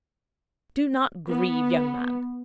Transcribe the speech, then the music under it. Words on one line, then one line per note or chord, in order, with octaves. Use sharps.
'Do not grieve, young man!
B3